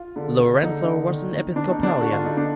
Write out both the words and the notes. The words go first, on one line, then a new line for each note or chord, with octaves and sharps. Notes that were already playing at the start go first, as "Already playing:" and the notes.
Lorenzo was an Episcopalian.
Already playing: F4
D3
D3
D3 D#4
D3
D#3
D#3
D#3 D4
D#4
D#3 D4
D3 F#4
F4
D3 D#4
D4